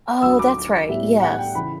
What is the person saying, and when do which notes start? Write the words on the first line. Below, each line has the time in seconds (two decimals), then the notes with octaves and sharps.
Oh, that's right. Yes.
0.22 D2 D3 F#3 E6
0.39 D6
0.88 A2 G3 B3 E5
1.22 F#5
1.39 G5
1.55 C#3 E3 B5